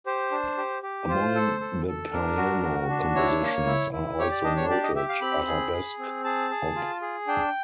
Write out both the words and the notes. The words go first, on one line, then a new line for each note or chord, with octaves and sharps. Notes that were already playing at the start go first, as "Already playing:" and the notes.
Among the piano compositions are also noted: “Arabesque”, “op”.
G4 C5
D4
G4
G4
F4 C5
A4
A4
A4
D4 A#4
F#4
F#4
D4
E4 C#5
A#3
E4
E4
G4 C#5
D5
D4 D#5
C#5
G4 D5
D#5
G4 E5
F5
C4 B5
G#4
G#4
C4
G#4 A5
G#4
F4
G#4
D4 G5